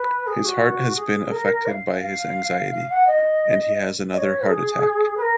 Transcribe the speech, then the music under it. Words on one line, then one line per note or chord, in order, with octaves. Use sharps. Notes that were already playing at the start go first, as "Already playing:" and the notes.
His heart has been affected by his anxiety, and he has another heart attack.
Already playing: B4
G#4
F#4
G#4
A#4
F5
F5
F5
F#5
D#5
D#5
C#5
G#4
B4
A#4